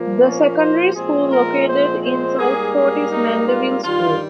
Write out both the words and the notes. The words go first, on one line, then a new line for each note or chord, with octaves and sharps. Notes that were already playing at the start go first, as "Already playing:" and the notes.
The secondary school located in Southcourt is Mandeville School.
Already playing: A#2 F3 A#3
C#4
C5
A#2 F3 G#3 C4 G#4
A#4
C5
C5
G#2 G3 A#3 G#4
G#4
D#4
F4
G2 D#3 G3 F4